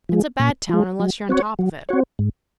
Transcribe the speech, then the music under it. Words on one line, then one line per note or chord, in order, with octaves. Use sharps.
It's a bad town unless you're on top of it.
F3 G#3
A#2
F3 G#3
F#3
C4 F#4 C#5
F#3
C4 F#4 C#5
G#2